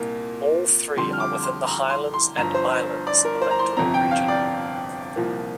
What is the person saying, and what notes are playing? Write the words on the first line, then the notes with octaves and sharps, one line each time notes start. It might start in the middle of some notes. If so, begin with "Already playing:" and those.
All three are within the Highlands and Islands electoral region.
Already playing: C2 A#2 A#3
F2 D3 G3 C6
F6
D6
C6
A#5
C6
C6
G1 G2 F3 A#5
C5
D5
A#4
C5
A#5
C6
G1 F2 C3 A#5
G5
F5
D5
C2 A#2 F3 A#3